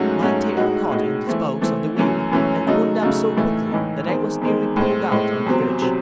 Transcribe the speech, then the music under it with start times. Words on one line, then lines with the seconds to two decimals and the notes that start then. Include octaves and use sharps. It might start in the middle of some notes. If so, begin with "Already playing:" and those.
My tail caught in the spokes of the wheel, and wound up so quickly that I was nearly pulled out on the bridge.
Already playing: G#2 F#3 A3 C#4 F#4
0.22 G#2 F#3 A3 C#4 F#4
0.57 A2 G#3 D#4 F#4
0.91 A2 G#3 D#4 F#4
1.27 E3 A3 C4
1.62 E3 A3 C4
1.96 F#2 E3 A3 C#4
2.31 F#2 E3 A3 C#4
2.67 C#3 F#3 A3 D#4
3.02 C#3 F#3 A3 D#4
3.37 A2 E3 A3 D#4
3.71 A2 E3 A3 D#4
4.06 E2 D#3 G#3 C4
4.42 E2 D#3 G#3 C4
4.77 A2 G#3 C4
5.11 A2 G#3 C4
5.46 E2 C3 F#3 C4
5.82 C3 F#3 C4